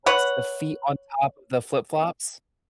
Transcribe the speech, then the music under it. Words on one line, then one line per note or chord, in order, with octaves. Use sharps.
like, the feet on top of the flip flops?
B4 C#5 F#5